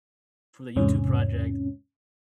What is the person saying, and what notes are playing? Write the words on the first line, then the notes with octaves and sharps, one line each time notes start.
for the YouTube project,
E2 G#2 C3 C#4